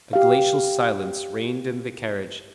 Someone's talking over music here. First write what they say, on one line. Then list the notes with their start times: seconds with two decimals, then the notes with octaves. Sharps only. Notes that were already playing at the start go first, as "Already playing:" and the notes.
A glacial silence reigned in the carriage.
0.13 G4 F5